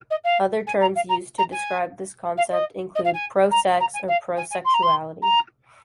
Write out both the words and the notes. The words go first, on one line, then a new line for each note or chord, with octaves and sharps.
Other terms used to describe this concept include "pro-sex", or "pro-sexuality".
D#5
F5
G#5
A#5
F5
A#5
A#5
G#5
F5
D#5
D#5
F5
G#5
A#5
A#5
G#5
F5
G#5
G#5
C6
A#5
C6
A#5